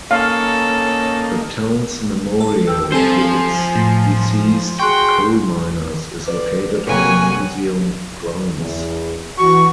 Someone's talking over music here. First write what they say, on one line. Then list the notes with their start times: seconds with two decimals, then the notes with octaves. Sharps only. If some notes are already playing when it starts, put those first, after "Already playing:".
The town's memorial to its deceased coal miners is located on the museum grounds.
0.11 A#3 C#4 D#4 A4 F5
2.40 A4
2.66 G5 E6
2.92 F3 G3 C4 A4 C5 G#5
3.76 A2
4.79 F#4 G#4 G5 C6 C#6 F#6
6.28 B4 D5
6.87 F1 A#3 G4 C#5 F#5 G#5
8.58 E2
9.38 E3 F#4 C#6